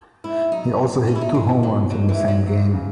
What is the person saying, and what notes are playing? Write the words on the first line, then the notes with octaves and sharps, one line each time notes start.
He also hit two home runs in the same game.
G#2 E4
F#3 D#4
F#3
G#2 C#4
E4
D#4
E3 G#3
G#2 F#3
F#3 D#4
E3
G#2
F#3
F#3
C#3